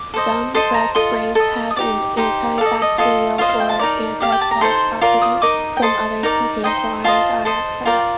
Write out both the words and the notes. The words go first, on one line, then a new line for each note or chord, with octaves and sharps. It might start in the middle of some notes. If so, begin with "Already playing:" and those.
Some breath sprays have an antibacterial or anti-plaque property; some others contain chlorine dioxide.
Already playing: D6
A4 C5 D#5
A4 C5 D#5 C6
A#5
F4 A4 D#5 C6
A4 D#5
D#6
D#4 G4 D5 D6
D#4 G4 C5
A4 D5 D#5 F5
D#5
F4 A4 D#5
F4 C5 D#5 F5
F5
G5
A5
D#4 A#4 D5
G4 D5 F5
G5
A5
A#5
D#4 A4 C5 C6
F4 A#4 D5
D#6
D#4 A#4 D#5 D6
G5
A4 C5 D#5 A5
D#4 A#4 D5
D#4 A4 C5 D#5 G5
F4 C5 D#5 A5
A4 C5 D#5
F4 A#4 D5 G5